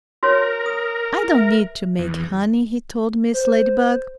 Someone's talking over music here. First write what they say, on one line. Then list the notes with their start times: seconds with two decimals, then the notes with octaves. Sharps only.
"I don't need to make honey," he told Mrs. Ladybug.
0.23 F#4 A#4 C#5
0.66 D#6
1.35 E5
1.99 E2
3.34 C5